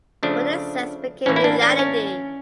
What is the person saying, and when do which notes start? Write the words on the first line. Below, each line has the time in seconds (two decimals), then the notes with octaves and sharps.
What they sensed became reality.
0.23 C#3 F3 A3 D4
1.26 A2 E3 A#3 C#4
1.36 E4
1.44 D4
1.61 D4
1.79 C#4